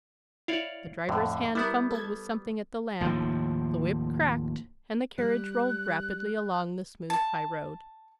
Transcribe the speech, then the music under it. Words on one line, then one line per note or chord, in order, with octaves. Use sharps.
The driver's hand fumbled with something at the lamp, the whip cracked, and the carriage rolled rapidly along the smooth highroad.
E4 C#5 D5 F5
F2 A2 D3
G3 B3 E4 A#4
A4 G#6
D#2 A2 F3
G3 F#6
A5